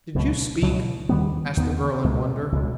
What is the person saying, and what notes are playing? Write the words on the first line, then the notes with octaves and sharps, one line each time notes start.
"Did you speak?" asked the girl, in wonder.
C#2 B2 F#3
C#2 B2 F#3
D#2 D#3 G3 B3
D#2 D#3 G3 B3
C#2 B2 G#3
C#2 B2 G#3